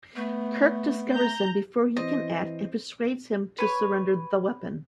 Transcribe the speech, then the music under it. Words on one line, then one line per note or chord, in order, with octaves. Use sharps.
Kirk discovers him before he can act and persuades him to surrender the weapon.
A3 B3
A#5 G6
E3 C4 D#5
B4 C#5